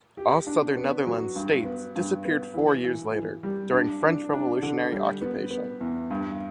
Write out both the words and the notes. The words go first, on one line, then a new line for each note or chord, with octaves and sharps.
All Southern Netherlands "States" disappeared four years later, during French revolutionary occupation.
G4
D4
B3
F#3
G2
B3
G2
B3
E3
E3
E3
G3
D4
D4
D4
D3
G3
B3
B3
E2
G2